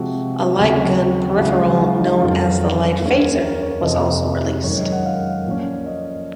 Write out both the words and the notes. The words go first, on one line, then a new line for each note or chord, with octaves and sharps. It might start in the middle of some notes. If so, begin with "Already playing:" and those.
A light gun peripheral known as the Light Phaser was also released.
Already playing: C3 F3 G#3 C4 F#4
D#2 C#3 F#3 C4 F#4
C#2 C#3 F#3 F4
F4
G#4
F#4
F4
D#4
F2 D#3 F#3 C#4 F4
D#2 D#3 A#3 C#4 G#4
A#4
C#5
F2 C3 F3 D#5
F#2 D#3 G#3 C#5
D#5
F#5
F5
A#2 F3 A#3 C#4
D#5